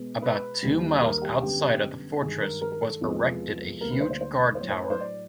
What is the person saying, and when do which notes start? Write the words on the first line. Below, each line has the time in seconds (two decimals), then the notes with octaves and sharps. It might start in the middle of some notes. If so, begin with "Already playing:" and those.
About two miles outside of the fortress was erected a huge guard tower.
Already playing: B2 G#3 B3
0.22 B4
0.63 D#2 D#3 G3
1.02 A#4
1.22 G4
1.42 F#2 D3 G3 B3 G4
2.21 G2 D#3 G#3 G#4
2.41 A#4
2.61 A#4
2.72 A#4
2.81 A4
3.01 E2 C3 F3 G#3 B3
3.81 D2 D3 G3 A#3 A#4
3.91 B4
4.01 C5
4.11 C5
4.21 C5
4.55 C5
4.60 A2 F#3 A3 C#5
4.70 C5
4.80 B4
4.90 C5
5.00 D5